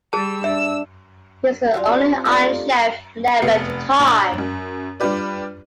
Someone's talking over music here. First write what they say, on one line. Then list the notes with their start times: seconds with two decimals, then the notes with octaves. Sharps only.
He is the only Iron Chef never to tie.
0.13 G3 G#4 A5 E6
0.44 D4 E5 E6
1.74 F#3 G3 F4
1.86 C4 F4
2.25 A3 D4 D#4 F4 G4 A#4
3.42 F1 B3 C#7
3.99 A#1 D4 A#5 F#7
4.38 F#2
5.00 G3 D4 F4 G4 B4 D5